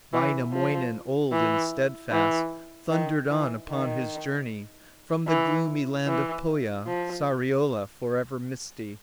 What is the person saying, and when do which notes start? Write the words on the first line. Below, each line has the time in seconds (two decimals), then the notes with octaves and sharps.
Vainamoinen, old and steadfast, Thundered on upon his journey, From the gloomy land of Pohja, Sariola for ever misty.
0.13 E3
0.53 F3
1.32 E3
2.12 E3
2.91 D#3
3.31 E3
3.70 D#3
5.28 E3
6.08 E3
6.87 F3